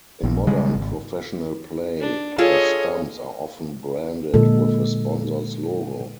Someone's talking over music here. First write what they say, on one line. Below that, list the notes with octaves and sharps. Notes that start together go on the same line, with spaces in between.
In modern professional play, the stumps are often branded with a sponsor's logo.
A#1
C#3 G3 G#3
G#1
D4
F4 G#4 A4 C#5 D#5
A#2 D3 G#3 A4